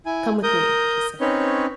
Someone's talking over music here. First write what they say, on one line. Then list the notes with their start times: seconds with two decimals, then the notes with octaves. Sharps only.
'Come with me,' she said.
0.06 E4 G#5
0.43 A#4 D#6 G6
1.21 C4 C#4 D#4 B4 C#5